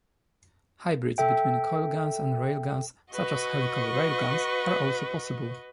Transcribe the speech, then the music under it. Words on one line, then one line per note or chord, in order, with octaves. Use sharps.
Hybrids between coilguns and railguns such as helical railguns are also possible.
A4 E5 G5
F#4 B4 D#5 C#6